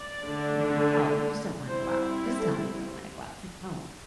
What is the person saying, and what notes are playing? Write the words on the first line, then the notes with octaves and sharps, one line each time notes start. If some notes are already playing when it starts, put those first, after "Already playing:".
you know, "Oh, you just don't wanna go out. Just tell me you don't wanna go out." It's like, "No"
Already playing: D5
D3 A3 D4
G3 C4 E4 C5
A4